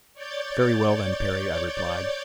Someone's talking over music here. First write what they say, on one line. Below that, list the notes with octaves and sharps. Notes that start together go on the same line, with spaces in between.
"Very well then, Perry." I replied.
C#5 D5 G6 A6